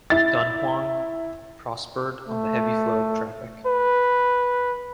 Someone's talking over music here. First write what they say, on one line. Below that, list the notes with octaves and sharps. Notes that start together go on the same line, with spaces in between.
Dunhuang prospered on the heavy flow of traffic.
E4 A6
A3
B4